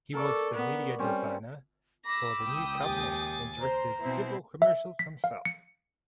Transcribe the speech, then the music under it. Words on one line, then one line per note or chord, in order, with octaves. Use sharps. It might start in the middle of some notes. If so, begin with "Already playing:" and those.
He was the media designer for the new company and directed several commercials himself.
A4 A#4 C#5 D5
B3
G3 C4 C#4
B5 D6 E6 A#6
C#2 G5 D#6
D#2 G4 G#5 A6
C5 A#5
B2 C4 E4 C5
E5
B6
F5
C#7